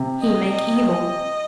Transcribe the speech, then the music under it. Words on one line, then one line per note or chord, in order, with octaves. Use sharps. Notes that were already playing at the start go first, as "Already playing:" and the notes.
He make evil.
Already playing: C3
D#5
D#5